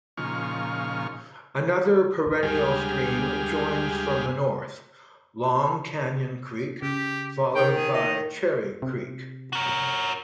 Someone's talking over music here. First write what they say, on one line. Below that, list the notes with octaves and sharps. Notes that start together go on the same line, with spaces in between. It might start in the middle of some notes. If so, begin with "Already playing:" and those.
Another perennial stream joins from the north, long Canyon Creek, followed by Cherry Creek.
A#2 C#3 F3 D#4 C#6 F6
D2 G2 G#3 G4 G#4 F6
C#3 G4
D#3 G5
G#4
D#5 E5
C3
F#4 A#4